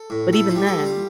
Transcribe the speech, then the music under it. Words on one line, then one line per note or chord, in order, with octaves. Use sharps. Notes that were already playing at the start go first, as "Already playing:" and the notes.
But even then,
Already playing: A4
A2
A2 A4
F4
G3
A4
G3
F4